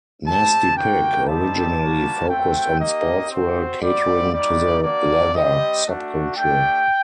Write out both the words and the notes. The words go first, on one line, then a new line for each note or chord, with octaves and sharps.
Nasty Pig originally focused on sportswear catering to the leather subculture.
C4 G4 A5
A#3 F#4 G5
G3 C4 D#4 G4 A5
G3 A#3 F#4
A3 C4 F#4 G5
A#3 D#4 G4 D#5
C4 F#4 C5
G3 C4 F#4 D5
G3 A#3 D#4 F#4 D5
A#3 D4 F#4 D5
G3 C4 G4 D#5
A3 D4 F#4
A3 D4 G4 G5